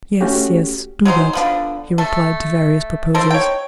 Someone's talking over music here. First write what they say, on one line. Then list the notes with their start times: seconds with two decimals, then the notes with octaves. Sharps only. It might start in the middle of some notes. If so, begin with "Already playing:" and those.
"Yes, yes, do that," he replied to various proposals.
0.21 A3 C#4 F#4 G4
1.05 F#3 G#3 D#4 C5
1.33 D3 F3 B3
1.98 A3 A4
3.14 D#4 A4 A#4 C5
3.30 C#5 G5